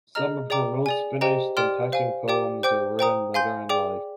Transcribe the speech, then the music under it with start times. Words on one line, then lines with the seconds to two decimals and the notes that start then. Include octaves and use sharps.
Some of her most finished and touching poems were written later in life.
0.15 G#4 D#5 A#5 F6
0.50 G#4 D5 G5 A#5 D6
0.86 G#4 D5 G#5
1.21 G4 C5 D#5 G5 A#5
1.57 G4 D5 G5 C6 F6
1.92 C5 F5 G#5
2.28 G4 D5 G5 D6
2.63 C5 G5 D6 G6
2.99 C5 G5 A#5 D#6
3.34 F5 G#5 C6 G6
3.69 G#4 D5 G5 D6